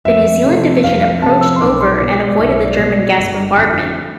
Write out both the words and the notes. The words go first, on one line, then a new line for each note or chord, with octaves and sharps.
The New Zealand Division approached over and avoided the German gas bombardment.
F2 E5
C3 F3 A3 C4
F2 F5
F5
C3 F3 A3 C4 A5
E6
C6
B1 D6
C6
D6
B2 G3
D5
B1 E5
D5
B2 G3
D5
G1
F2 D3 F3 A3